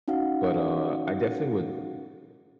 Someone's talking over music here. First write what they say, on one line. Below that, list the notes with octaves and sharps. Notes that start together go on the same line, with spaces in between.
but, uh, I definitely would
C#4 D#4 F#4 F5 F#5